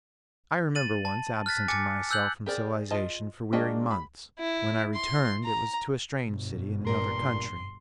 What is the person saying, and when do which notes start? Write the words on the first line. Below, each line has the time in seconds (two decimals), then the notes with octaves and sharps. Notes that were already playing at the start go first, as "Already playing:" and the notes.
I remember once absenting myself from civilization for weary months. When I returned, it was to a strange city in another country.
0.75 A6 D#7 F#7
1.05 A5
1.46 F6 F#6 A6 B6
1.68 G#5 D6 A6 C#7
2.11 E6 F#6 G6 F#7
2.46 G4 G#4 A#4 D5
2.91 F4 D#5 A5
3.53 G#3 A#3 D4 F#4 D#5 G5
3.91 B5
4.40 E4
4.95 C6
5.44 A#5
6.20 G1 B2
6.87 G2 A#2 A#4 C6